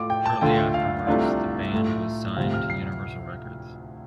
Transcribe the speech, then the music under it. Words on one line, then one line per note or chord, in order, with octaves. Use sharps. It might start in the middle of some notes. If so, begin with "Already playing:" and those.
Shortly afterwards the band was signed to Universal Records.
Already playing: A2 A3 F4 D6
G5
A5
D2 D3 A3 F4 G5
F5
C2 C3 A3 D4 F4
A2 A3 F4
D2 C3 F3 F5
F6
C7